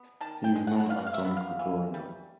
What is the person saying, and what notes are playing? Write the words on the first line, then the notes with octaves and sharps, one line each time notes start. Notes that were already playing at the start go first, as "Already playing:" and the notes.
He is known as "Don Gregorio".
Already playing: B3
D#3 A5
G5
G#3
F#5
F#5
B3 F5
F#5
F5
E5
B3
F5
E3
G3